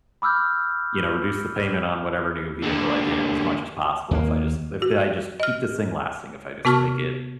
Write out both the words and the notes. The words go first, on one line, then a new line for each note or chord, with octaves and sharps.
you know, reduce the payment on whatever new vehicle I get as much as possible, if I just if I just keep this thing lasting, if I just make it
B5 D6 E6 F6 G6
D#2 D3
D#2 D#3 G#3 A#3
F#4
D#5 F6
C3 B3 F#4 A5 C#6 F6